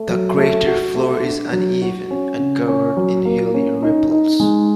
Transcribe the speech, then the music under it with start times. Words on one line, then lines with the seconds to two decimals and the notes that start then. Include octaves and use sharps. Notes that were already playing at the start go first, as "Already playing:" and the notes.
The crater floor is uneven and covered in hilly ripples.
Already playing: A3
0.08 F#3
0.37 A3
0.66 F#4
0.95 A3
1.24 D4
1.52 F#3
1.82 F#4
2.11 C#4
2.38 C#3
2.68 C#4
2.97 F#3
3.25 A#3
3.54 C#4
3.83 D#4
4.11 D#4
4.40 G#3